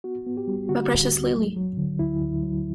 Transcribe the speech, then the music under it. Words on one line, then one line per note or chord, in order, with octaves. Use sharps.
My precious Lily!
B3 F#4
B3
G4
G3
D3 F#4
D3
D2
F#3
F#3
D3
D2 E4
D2
F#3